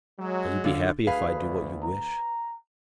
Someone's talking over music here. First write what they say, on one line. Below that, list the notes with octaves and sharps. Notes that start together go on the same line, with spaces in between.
"Shall you be happy if I do what you wish?"
F#3 G#3
D3 F4
D2 G#4 B4 F5
A#5